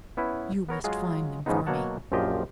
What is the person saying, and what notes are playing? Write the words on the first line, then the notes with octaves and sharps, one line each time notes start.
You must find them for me!
B3 C#4 E4 B4
B3 A#4 C#5 A#5
F#3 G#3 F4 G#4
G#2 C#3 F3 G#3 B3 D#4
B2 F#3 A#3 C#5 F#5 A5
A#1 F#2 F3 F4 G4 D#5